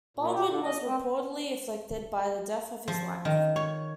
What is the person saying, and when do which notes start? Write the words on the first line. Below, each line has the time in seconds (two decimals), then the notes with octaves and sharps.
Baldwin was reportedly afflicted by the death of his wife.
0.17 A#2
0.34 G4
0.47 D3
0.63 D#5
0.85 C4
2.88 F3
3.25 D#3
3.56 C#5